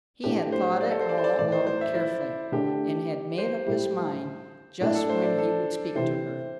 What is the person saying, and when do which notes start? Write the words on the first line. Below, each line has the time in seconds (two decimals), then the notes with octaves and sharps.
He had thought it all out carefully and had made up his mind just when he would speak to her.
0.24 A2 A3 D4 G4
0.52 C5
0.81 D5
0.90 A4
1.01 C5
1.09 D5
1.18 C5
1.24 D5
1.38 A2 E3 A3 D5
1.52 C5
1.67 C5
1.81 E5
1.95 E4
2.52 D3 A3 D4 G4
3.38 C5
3.66 A2 G3 E4
4.81 A2 A3 D4 E4
4.95 A4
5.10 C5
5.24 D5
5.38 A4
5.95 C3 E3 C4 E4 C5